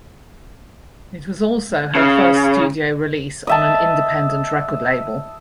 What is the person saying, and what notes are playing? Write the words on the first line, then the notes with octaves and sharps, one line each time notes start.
It was also her first studio release on an independent record label.
C#3
D#5 E5 A5